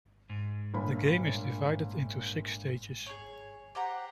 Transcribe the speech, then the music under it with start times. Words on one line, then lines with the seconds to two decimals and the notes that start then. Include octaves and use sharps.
The game is divided into six stages.
0.29 G#2
0.74 G1 A#2 B5
3.06 G#4 C#5
3.75 G4 C5 F#5 A#5